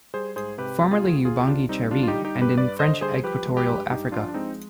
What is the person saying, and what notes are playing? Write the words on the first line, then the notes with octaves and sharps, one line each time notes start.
Formerly Ubangi-Chari and in French Equatorial Africa.
G3 G#4 C5
G#2 G#4 C5
C3 G4 B4
G3 G4
F4 G#4
D2
D2 F4 G#4
G4
C3 D4 F4
G3 C4 D#4
D3 D4 F4
F4
D#4 G4
G3
D#4 G4
G2
G4 B4
G2 B4 D5
D3 C5 D#5
G3 G#4 C5
F3 G4 B4
G#3
G4 B4
G2
G2 D#4 G4
F3 D4 F4
D4
G#3 C4 D#4